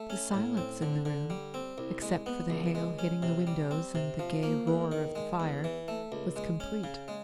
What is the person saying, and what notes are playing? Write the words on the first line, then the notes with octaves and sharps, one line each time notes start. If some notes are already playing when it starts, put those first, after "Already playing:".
The silence in the room, except for the hail hitting the windows and the gay roar of the fire, was complete.
Already playing: A3
C#4
A2
C4
D3
D3
G3
C4
C2
G#3
B3
C#2
G#3
C#4
C3
G3
C4
C3
F3
A#3
E2
D#3
G#3
E2
E3
A3
C#2
G#3
C#4
C#3
G#3